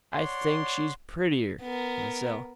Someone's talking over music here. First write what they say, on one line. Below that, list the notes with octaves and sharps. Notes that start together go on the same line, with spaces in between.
I think she's prettier, myself.
C#5 D5 F#5 C6
B3 A#4